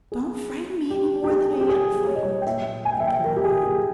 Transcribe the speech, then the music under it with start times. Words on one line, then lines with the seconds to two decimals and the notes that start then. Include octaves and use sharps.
"Don't frighten me any more than I am frightened," implored Anne.
0.12 G#4
0.90 G4
1.24 G4
1.29 G#4
1.60 G4
1.69 G#4
2.07 C#5
2.15 D#5
2.23 C#5
2.42 G5
2.46 A#2 E5
2.85 G#5
2.92 G5
3.00 E5
3.07 G5
3.25 A#4
3.36 G4
3.44 G#4
3.63 G4